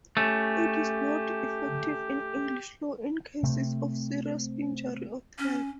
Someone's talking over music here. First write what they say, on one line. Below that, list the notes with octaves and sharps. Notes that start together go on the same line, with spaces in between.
It is not effective in English law in cases of serious injury or death.
A3 C#4 G4
C3 A3 C4
C#4